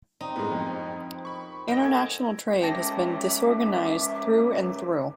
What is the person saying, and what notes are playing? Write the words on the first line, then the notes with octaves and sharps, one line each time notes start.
International trade has been disorganized through and through.
C4 D#4 G4 F5
F#2 A2 G#3 B3 F4 A#4 D#5
F2 C4
B5 C#6
G#3 A#3 B3 D#5 G5 A#6
G#3 F#4 A4 G#6
G#2 C#4 E5 G5 A5 D6 A#6